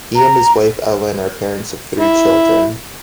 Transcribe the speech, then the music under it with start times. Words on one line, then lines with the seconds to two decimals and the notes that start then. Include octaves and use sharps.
He and his wife Ellen are parents of three children.
0.16 A#5
2.00 E4